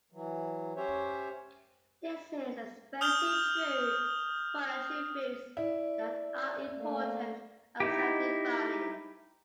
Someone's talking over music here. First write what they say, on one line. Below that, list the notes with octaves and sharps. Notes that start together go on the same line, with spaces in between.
This is especially true for attributes that are important and self-defining.
E3 F#3
C#4 G4 C5 C#5 E5
D#6 F6 G6 F7 G7
E4 D5
A3 A#3
D#4 E4 G4